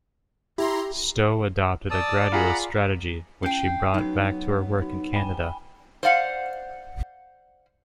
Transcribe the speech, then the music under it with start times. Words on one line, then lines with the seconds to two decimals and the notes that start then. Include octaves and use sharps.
Stowe adopted a gradualist strategy which she brought back to her work in Canada.
0.58 E4 G4 A#5 C6
1.91 D5 A5 D#6 E6
2.32 F4 G#4 F#5 A#5 B5
3.43 C#4 F5 G5 G6 C7
3.94 F#3 B3 D#4
4.82 D#4
5.13 G5 G#5 B5
6.03 C5 D5 F5 F#5